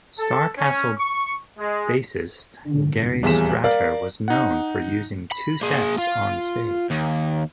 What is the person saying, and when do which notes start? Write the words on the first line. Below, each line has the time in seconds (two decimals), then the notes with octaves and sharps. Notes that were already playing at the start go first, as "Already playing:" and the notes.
Starcastle bassist Gary Strater was known for using two sets on stage.
0.18 A4
0.58 C#4
0.97 C#6
1.59 G#3
3.23 D#1 E2 G#4 B6 E7
3.64 A#4 D5 F5
4.28 D#4 F#5
5.32 B5
5.61 A#3 G#4
5.98 F4
6.90 D#2